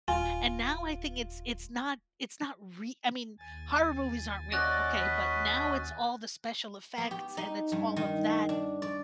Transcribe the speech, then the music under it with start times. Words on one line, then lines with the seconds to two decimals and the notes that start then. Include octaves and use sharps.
and now I think it's it's not it's not re I mean, horror movies aren't real, okay, but now it's all the special effects, and it's all of that
0.08 D#1 F4 G#5
3.39 D#2 G#5 A6
4.52 C#4 F#4 D5 D#5 F#6 A#6
4.94 B4
6.98 B3
7.11 G4
7.37 D#4
7.72 G2
7.96 D#3
8.49 D4
8.82 D5